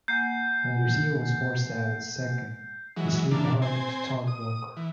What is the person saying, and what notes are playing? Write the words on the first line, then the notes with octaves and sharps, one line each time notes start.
When Garcia was forced out at second, he slid hard into Todd Walker.
A#3 F#5 G#5 G6 C7
E3 F#3 G#3
G2 D3 E3 A#3 D4
C4 C5 G#5
D#6
E3